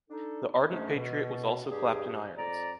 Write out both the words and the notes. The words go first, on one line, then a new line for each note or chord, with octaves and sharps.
The ardent patriot was also clapped in irons.
D4 D#4 A4
G#2 G#3 A3 C#4 D4 G#4
B2
G2 G4 G#4
F2 D5 A#5